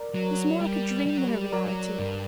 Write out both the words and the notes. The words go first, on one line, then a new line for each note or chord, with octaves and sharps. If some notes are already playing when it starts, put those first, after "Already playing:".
It was more like a dream than a reality.
Already playing: A#4 D5
F#3
G3
G3
F#3
G3
F#3 A#4 D5
G2